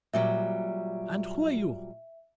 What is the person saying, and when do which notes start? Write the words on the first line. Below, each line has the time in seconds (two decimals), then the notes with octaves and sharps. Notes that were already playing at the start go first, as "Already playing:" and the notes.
"And who are you?"
0.14 A#2 F#3 G3 E5